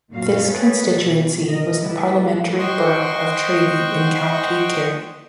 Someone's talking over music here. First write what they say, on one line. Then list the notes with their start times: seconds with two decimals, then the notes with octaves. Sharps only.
This constituency was the parliamentary borough of Tralee in County Kerry.
0.12 F#2 A#2 F#4 F5
0.45 G#4 A4 B4 C#5
0.98 B2
1.47 A#4 D#5
1.79 G3 A3 E4 B4
2.59 C5 D#5 F#5 G5 C6 C#6